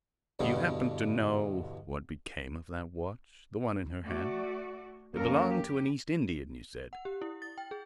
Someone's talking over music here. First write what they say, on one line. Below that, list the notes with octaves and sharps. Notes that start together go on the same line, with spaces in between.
"Do you happen to know what became of that watch--the one in her hand? It belonged to an East Indian, you said."
E2 G2 B2 D3
A3 F#4 D5
F2 A#3 C#4 A4 A#4
G4
F#5
G4
E4
A6
G5
G#4